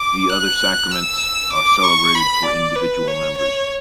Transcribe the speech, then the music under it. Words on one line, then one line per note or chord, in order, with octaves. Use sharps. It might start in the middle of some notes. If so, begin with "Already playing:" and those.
The other sacraments are celebrated for individual members.
Already playing: D6
F#6
E6
D6
C#6
B5
D5
B4
C#5
C#5